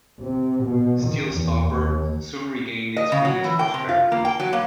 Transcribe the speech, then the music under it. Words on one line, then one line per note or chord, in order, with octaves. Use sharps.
Steal Stopper soon regained its previous prosperity.
C3
B2
D#3
E2
D#2
D#5
C#3
F#3
E3
G5
C3
F4
A#3
G5
F#3
A#3